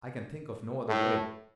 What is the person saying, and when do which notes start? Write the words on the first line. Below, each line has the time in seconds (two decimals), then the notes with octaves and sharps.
I can think of no other way.
0.89 A2